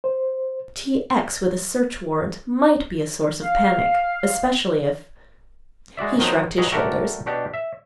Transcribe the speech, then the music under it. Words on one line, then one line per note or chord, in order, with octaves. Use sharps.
T. X. with a search warrant might be a source of panic especially if--he shrugged his shoulders.
C5
F5
G#3 F#4 D5 E5
D#3 F3 F#3 B3
F#3 G#4 B4 D#5
F#4 G4 A4 A#4 D5 E5
B2 D4 G4 F#5
E5